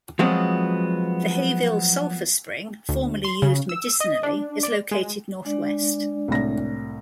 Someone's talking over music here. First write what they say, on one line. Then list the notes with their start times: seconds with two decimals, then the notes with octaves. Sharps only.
The Hayville Sulphur Spring, formerly used medicinally, is located northwest.
0.19 F3 F#3 G#3 B3 C4
2.89 D2
3.25 C6
3.42 C#3
3.69 E6
4.00 D#5
4.23 D4
4.63 D5
4.91 G#3
5.45 G#3 D4 D5
6.28 C2 A2 A#6